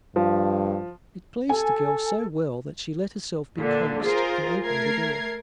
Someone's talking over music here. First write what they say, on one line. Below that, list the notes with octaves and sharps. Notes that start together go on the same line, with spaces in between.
It pleased the girl so well that she let herself be coaxed and opened the door.
G2 F3
A4 G#5
A#2 D3
F4 G#4 A#4 C5
A3 A#4 G#6 C7